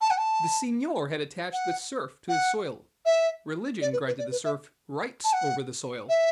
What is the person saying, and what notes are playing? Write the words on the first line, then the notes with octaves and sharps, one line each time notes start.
The seignior had attached the serf to the soil; religion granted the serf rights over the soil.
A5
F#5
A5
F#5
F#5
E5
D5
B4
B4
D5
B4
E5
A5
F#5
E5